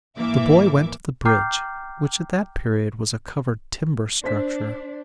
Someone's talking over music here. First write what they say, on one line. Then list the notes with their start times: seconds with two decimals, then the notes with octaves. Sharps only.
The boy went to the bridge, which at that period was a covered timber structure.
0.16 G#1 E3 A#3 E5 D6
1.25 G5 A#5 D6 F6 G6 C7
4.24 D4 C5 B6